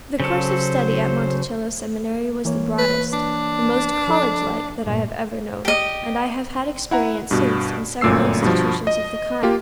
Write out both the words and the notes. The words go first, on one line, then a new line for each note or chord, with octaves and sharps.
The course of study at Monticello Seminary was the broadest, the most college-like, that I have ever known; and I have had experience since in several institutions of the kind.
C#3 F#3 A4 C5
E3 A#3 C#5
B4
D4
F3 A4
G2 A#2
G4 D#5
E4 F#5 A#5
G2 B2
G1 F#2 A#2 A3 E6 C7
G2 B2 F3
D#5
A#3 F4 G4